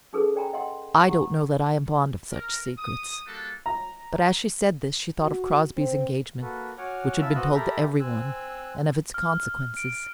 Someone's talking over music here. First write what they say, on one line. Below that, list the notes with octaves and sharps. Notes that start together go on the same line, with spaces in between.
"I don't know that I am fond of such secrets." But as she said this, she thought of Crosbie's engagement, which had been told to every one, and of its consequences.
C#4 D#4 G#4 A4 B4
C5 D5 G5 G#5 A#5 B5
D#5 F#5 G5 C6
G4 F#5 A#5
A#4
D#6
G3 A#3 D4 F#4 A4
A#5
F#4
C4
A#3 F#4 A4 B4
F#4 C#5 F#5 G#5 D6 F6
E4 E5 F5 A5 B5 E6
B3 C4 F#4 D#5 E6 F#6
G4 A4 A#4 E5 A#5 B5
C4 G#5 E6 F#6
F6
D7